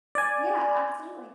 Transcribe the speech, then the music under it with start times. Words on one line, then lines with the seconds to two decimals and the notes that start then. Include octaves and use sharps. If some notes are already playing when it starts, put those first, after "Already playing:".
Yeah, absolutely.
0.15 D5 G#5